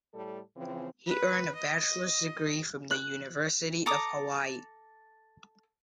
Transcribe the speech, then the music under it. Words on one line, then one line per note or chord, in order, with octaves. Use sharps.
He earned a bachelor's degree from the University of Hawaii.
A2 G3 A4
C#3 E3 F3 C4
B4
D#5
F#6
A4 A#5 D6 D#6